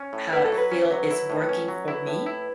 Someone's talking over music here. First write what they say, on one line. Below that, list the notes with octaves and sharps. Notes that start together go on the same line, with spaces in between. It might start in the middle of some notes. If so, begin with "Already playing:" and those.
how I feel it's working for me
Already playing: C#4
A2
E4 B4
A4
F#3
B4
C#4
F#3
E4
A2
C#4
F#3
E4
A2
E4